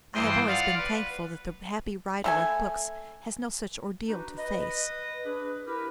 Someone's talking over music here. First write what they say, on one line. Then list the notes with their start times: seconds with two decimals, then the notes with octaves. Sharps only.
I have always been thankful that the happy writer of books has no such ordeal to face.
0.15 G2 E3 C5 D#5 G5 C6
0.48 F4 D5 F5 F#5
0.78 B4
2.24 A3 A4 G#5
4.08 D4 D#4 F#4 B4
4.37 B4 D#5
5.25 D4 G#4 B4
5.66 E4 G4 A#4 B4